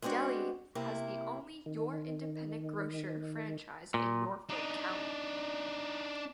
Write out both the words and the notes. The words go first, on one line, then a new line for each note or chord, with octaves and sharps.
Delhi has the only Your Independent Grocer franchise in Norfolk County.
G#3 B3 C4 D4 F#4
C3 A#3 E4
D#3
A#2
D4 D#4